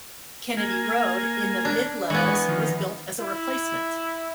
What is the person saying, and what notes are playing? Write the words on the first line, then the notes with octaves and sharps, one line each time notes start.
Kennedy Road in the Mid-Levels was built as a replacement.
A#3 G#5
D4
E3 G#3 B3 C#6
D#3 F3
E4